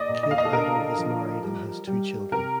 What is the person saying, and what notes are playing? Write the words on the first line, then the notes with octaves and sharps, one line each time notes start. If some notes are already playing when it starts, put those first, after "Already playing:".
Kate Addo is married and has two children.
Already playing: A#3 D5 D#5
A#2
D#5
F5
D#5
A4
D3 A#4
F3
G3
G3
C3 A#4